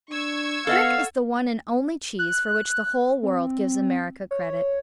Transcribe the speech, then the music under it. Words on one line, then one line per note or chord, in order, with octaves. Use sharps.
Brick is the one and only cheese for which the whole world gives America credit.
D4 C#6 E6 G#6
B3 A4 D#5 F5 F#5
F#6
C4
C#5